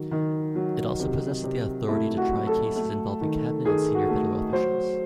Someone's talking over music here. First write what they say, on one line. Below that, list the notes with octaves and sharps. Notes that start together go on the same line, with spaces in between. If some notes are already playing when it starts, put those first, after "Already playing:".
It also possesses the authority to try cases involving cabinet and senior federal officials.
Already playing: D#3 F#3
D#3
F#3
C3
C3
A3 E4
F#4
F#3
A4
A3
D#3
D#3 G#4
F#4
A3
F#3 C5